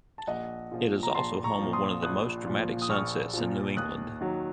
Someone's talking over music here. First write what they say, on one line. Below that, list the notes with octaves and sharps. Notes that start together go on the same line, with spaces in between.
It is also home of one of the most dramatic sunsets in New England.
A5
A#1 D#5 F#5
A#2 F3
A#5
A#1 A5 C6
A#5 C#6
A#2 F3
C6 D#6
A#1 D#6 F#6
A#2 F3
D#6
A#1 C#6 F6
A#2 F3
D#2 D#6 F#6
D#3 F#3